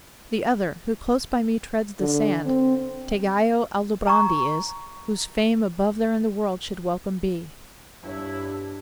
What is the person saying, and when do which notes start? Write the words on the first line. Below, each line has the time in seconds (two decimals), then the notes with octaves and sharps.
The other, who close by me treads the sand, Tegghiaio Aldobrandi is, whose fame Above there in the world should welcome be.
2.00 D3
2.46 C4
4.07 A#5 C#6
8.03 G1 G3 D4 E4 C#5